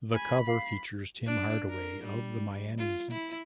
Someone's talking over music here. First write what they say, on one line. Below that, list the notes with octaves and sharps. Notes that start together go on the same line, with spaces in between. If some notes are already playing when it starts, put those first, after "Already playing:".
The cover features Tim Hardaway of the Miami Heat.
G#5 B5
F5 C7
D4
A#4
G3
F4
E4